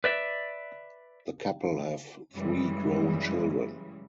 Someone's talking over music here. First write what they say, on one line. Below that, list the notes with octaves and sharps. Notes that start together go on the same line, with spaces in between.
The couple have three grown children.
B4 D5 E5
F#2 C#3 E3 G3 G#3